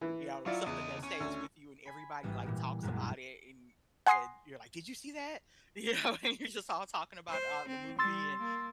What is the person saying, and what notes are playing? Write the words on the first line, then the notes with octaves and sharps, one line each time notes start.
you know, it's something that stays with you and everybody, like, talks about it. And and you're like, "Did you see that?" You know? And you're just all talking about, uh, the movie and
E3
F#3 E4 F4 D5
E2 C#3 D#5
C#4
D2
G#5 B5
G#1 E3 G3 B3
A#2 E3
A#1 F#2 A#2 G#3
F#5 G#5 C6 D#6 A#6 C7
C5
C4
G3 C6 E6 A6
A#3